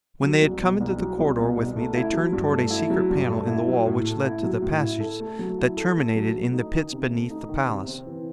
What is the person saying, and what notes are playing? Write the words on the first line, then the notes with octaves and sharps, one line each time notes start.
When they had come into the corridor with me, they turned toward a secret panel in the wall which led to the passage that terminated in the pits beneath the palace.
F#3
C2
B2
C2
F#3
C2
B2
C2
A3
E4
F#3
G2
A3
E4
F#3
G2
A3
E4
F#3
A2
A3
E4
F#3
A2
E4
A4
A3
F#3
E4
A4
A3
F#3
A3
D#4
D#3
C3
A3
D#4
D#3
C3
C4
E3